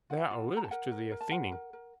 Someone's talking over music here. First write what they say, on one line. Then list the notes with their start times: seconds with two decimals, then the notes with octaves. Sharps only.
'Thou alludest to the Athenian.
0.10 F4 F#5
0.31 F4
0.52 F4 A#5
0.64 A5
0.71 A#4 F#5
0.91 A#4
1.12 A#4
1.21 A5
1.32 A#4 F#5
1.52 A#4
1.73 A#4